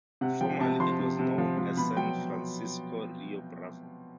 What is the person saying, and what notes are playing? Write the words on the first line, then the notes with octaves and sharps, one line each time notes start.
Formerly it was known as San Francisco Rio Bravo.
C3 F#5
F3 G5
C3 A5
F3 C6
C3
C3
F3
F3
B2 B5
F#3 G5